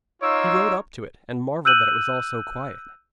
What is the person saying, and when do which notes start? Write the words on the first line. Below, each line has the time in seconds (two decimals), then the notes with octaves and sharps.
He rode up to it, and marvelled that it was all so quiet.
0.22 D#4 F4 C#5 F5 D6 E6
1.65 E6 F#6 G6 D#7 F#7